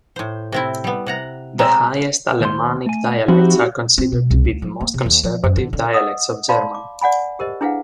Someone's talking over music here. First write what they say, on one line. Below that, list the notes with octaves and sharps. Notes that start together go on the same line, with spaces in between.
The Highest Alemannic dialects are considered to be the most conservative dialects of German.
A2 C5
C3 C4 E4
G3 B3
C3 F#5 A#5
G#3 C4 A#5 E6
D#2 C5 C6
A3 G#5
F3 C4 D#4 E4 F#4 G4
C4
B2
C2
D2
F3
A#3
C3
D#2
F3
F#2
D3
D3
D#5 F#5 D#6 E6
D5 F5 A5 B5 C6
D6
D5 F#5 G#5 B5
G4 A#4 C5 D#5
D4 E4 G#4 B4 F5 F#5